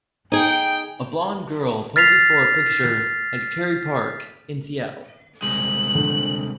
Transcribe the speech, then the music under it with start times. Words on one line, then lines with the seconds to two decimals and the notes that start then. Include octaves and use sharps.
A blond girl poses for a picture at Kerry Park in Seattle.
0.32 D#4 G#4 G5
1.96 F6 A6 B6 C7 F7
5.42 C2 G#3 F#7
5.95 D3